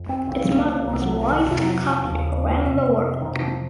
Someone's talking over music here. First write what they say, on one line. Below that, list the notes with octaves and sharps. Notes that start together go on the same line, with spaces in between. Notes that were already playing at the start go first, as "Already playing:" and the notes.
Its model was widely copied around the world.
Already playing: F2
C4
C#2 C#3 C4
A#3
C2 C3 A#3
F#3
F3
D#3
F2 C3 F3
F#3
F#3
F3
D#2 C#3 F3
F2 C3
F2 C3 D#3
F3